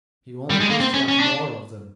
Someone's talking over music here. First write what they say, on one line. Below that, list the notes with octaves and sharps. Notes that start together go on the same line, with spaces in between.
He only wished he had more of them.
G3
G#3
A#3
C4
C#4
C#4
D4